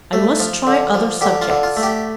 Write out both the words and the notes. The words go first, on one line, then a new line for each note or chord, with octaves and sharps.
"I must try other subjects."
A3
F3
D3
F3
D3 G4
F4
D3
F4
A3
G4